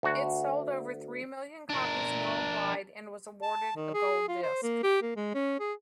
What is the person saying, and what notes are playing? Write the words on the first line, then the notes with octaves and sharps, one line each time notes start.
It sold over three million copies worldwide, and was awarded a gold disc.
D2 F#4
D4 A#4
A5
D#3
G#4
F4
C5
A#3
G4
A#3
G#3
C#4
G#4